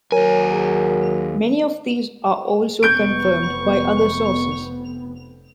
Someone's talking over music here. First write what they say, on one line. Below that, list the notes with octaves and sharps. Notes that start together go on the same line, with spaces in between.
Many of these are also confirmed by other sources.
D#2 F#3 A#4 C#5 G#5
G#4
F1 F2 B3 C#6 G6 D7